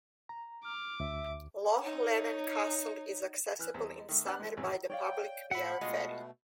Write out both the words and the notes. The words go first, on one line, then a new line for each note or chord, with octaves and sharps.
Loch Leven Castle is accessible in summer by the public via a ferry.
A#5
D6 F6
D2 E5
D#4 C#5
E3 F6 F#6
E2 G3 C4
D#3 A3
B3 D4 D5 F#5
E3 G#3
G#1 E2 B2 C#4 E6
C#5 D5 F5 G5
A2 E5 F#5 B5
B2 G#3 A3 F4 D#5